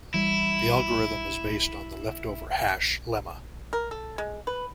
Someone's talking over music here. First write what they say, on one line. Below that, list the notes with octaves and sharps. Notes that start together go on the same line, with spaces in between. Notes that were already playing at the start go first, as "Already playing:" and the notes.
The algorithm is based on the leftover hash lemma.
E3 G3 E4
A#4
A4
G#3
B4